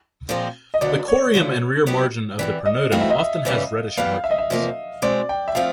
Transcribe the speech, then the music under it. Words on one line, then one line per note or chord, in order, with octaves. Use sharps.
The corium and rear margin of the pronotum often has reddish markings.
A#2 F3 G#3 C4
D#5
D#2 D3 F#3 B3 D4 D5
C#5
D2 D3 F3 A3
F#3 B3 D#4 G4
E2 C3 E3 D5
D#5
E3 A3 C4 D#4 F#4 F5
E5
D#5
E5
E2 C#3 E3 G3
G2 E3 G3 B3 F5
E5
D#5
E5
E2 C3 F3 A#3
B2 G#3 C4 D5
G5
E5
F3 A3 C4 F4 F5